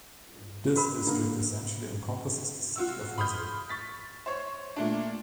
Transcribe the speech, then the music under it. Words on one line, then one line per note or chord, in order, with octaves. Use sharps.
This district essentially encompasses the city of Hazard.
F#4 A#4 B5
D3 A#3
F4 F#4 E6
B5 C6 D#6 F6 G6
C#6 A6 B6
C5 C#5 C#6
A#2 A3 D4